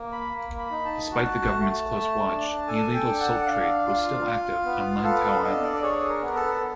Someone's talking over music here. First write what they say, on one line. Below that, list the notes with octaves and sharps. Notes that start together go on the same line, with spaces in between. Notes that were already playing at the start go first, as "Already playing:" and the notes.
Despite the government's close watch, illegal salt trade was still active on Lantau Island.
Already playing: A#3
B5
A#3
B5
D#4
A5
F#4
A3
A3
D4
A4 G#5
G5
D4
F#5
D4 F5
F4
F4
B3
A4 F5
F5
D4 D#5
D5
D5
G#4 C#5
A#4
B3 A#4
A4